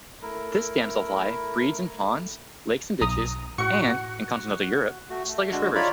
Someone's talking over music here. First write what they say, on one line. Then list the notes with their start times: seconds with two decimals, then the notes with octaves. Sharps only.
This damselfly breeds in ponds, lakes and ditches and, in continental Europe, sluggish rivers.
0.22 A3 E4 A#4
3.01 B1 A#5 D#6
3.58 A2 F#4 F#5 C#6 C#7
5.10 A3 F#4
5.29 A3
5.52 D3 G#3 D4 F#4
5.75 D#4 F4 C#5 D5 B5